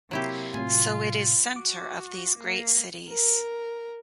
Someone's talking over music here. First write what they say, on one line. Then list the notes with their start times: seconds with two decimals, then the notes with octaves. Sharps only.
So it is center of these great cities.
0.11 C3 F#3 A#3 E4 G4
0.54 A2 C3 F#3 F4 G#5
1.56 F#4 D6
2.39 A#3
3.08 A#4